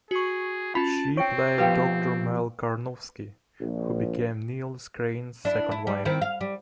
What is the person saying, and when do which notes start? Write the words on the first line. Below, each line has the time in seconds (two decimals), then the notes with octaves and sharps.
She played Doctor Mel Karnofsky, who became Niles Crane's second wife.
0.11 F#4 G#4 C#6
0.75 C#4 F4 A5 B5
1.17 C4 C#5 G5 C#6 D7
1.58 B2 F3 G4 B4 F5 G5
3.60 A#1
5.45 D4 E4
5.71 E4
5.87 G3
6.05 D#3 C4 E4
6.22 F5
6.41 G3